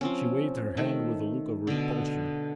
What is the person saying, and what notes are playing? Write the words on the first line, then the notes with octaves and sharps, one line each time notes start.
She waved her hand with a look of repulsion.
F3 C4 C#4
D#3 A3
B2 D3